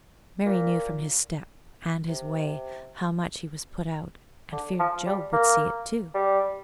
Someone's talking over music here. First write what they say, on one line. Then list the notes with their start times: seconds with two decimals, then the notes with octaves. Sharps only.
Mary knew from his step, and his way, how much he was put out, and feared Job would see it, too.
0.46 A#2
2.09 C3
4.52 D3
4.79 F3
5.06 G3
5.33 A#3
6.14 G3